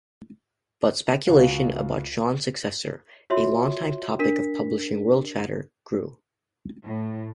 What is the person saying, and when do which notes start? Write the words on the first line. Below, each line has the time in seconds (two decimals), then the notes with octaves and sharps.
But speculation about Shawn's successor, a longtime topic of publishing-world chatter, grew.
1.27 C#2 F#4 F5
3.30 F4 F#4 C#5 E5 C6
4.19 D4 A#4 B6
6.84 A2